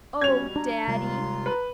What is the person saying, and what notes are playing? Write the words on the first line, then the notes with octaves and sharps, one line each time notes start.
Oh, daddy!
B2 G3 C#4 G#6 F7
D4 A#5
D#2 C3 G3 G#3 F4 C6
B4